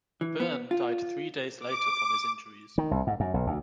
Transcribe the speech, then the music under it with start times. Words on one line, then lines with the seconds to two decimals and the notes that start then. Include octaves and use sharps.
Byrne died three days later from his injuries.
0.21 E3
0.40 B3
0.71 F4
1.59 D6
2.78 D#3
2.91 C2
3.07 G#2
3.20 F#2
3.34 B1
3.47 D2